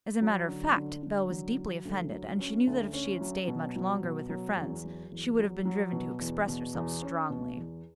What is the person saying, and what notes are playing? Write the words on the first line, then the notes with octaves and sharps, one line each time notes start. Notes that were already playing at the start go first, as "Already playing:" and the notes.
As a matter of fact Belle was deeply offended, and she knew that if she had stayed much longer with her friends she would have been driven to express herself strongly.
F#3
D3
D3
D3
F#3
F#3
D2
F#3
C#4
D2
C#4
F#3
B2
F#3
B2
F#3
E2
F#3
E2
F#3
F#3
B2
E2
B2
E2
C#4
B2
E2